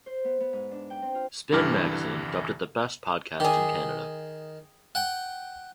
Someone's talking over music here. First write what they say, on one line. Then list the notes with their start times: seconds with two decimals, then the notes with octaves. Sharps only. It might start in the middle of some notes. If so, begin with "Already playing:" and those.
"Spin" magazine dubbed it the best podcast in Canada.
0.06 C5
0.25 B3
0.40 B3
0.53 G#2
0.72 D4
0.90 G5
1.02 C4
1.15 F4
1.52 C2 G2 D3 E3 D6 F6
3.40 D#3 G4 G#4
4.95 F#5 G5